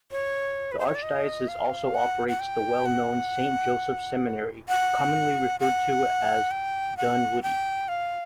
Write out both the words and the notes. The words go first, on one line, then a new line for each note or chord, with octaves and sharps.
The Archdiocese also operates the well-known Saint Joseph's Seminary, commonly referred to as Dunwoodie.
C#5
B4
C5
C#5
D5
D#5
F5
F#5
F#5
G5
F#5
F#5
F#5
G5
F#5
G5
F5